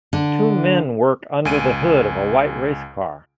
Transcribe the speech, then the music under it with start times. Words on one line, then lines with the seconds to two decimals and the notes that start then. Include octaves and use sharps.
Two men work under the hood of a white race car.
0.13 D3 D4
1.45 C#2 G#5 D7 D#7